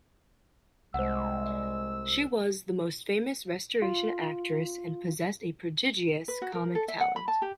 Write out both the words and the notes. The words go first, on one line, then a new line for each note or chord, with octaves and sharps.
She was the most famous Restoration actress and possessed a prodigious comic talent.
C2 G#3 C5 F#5 E6
F4
B4
F#4
A#4
A4
E5
F#5
B5
A5
G4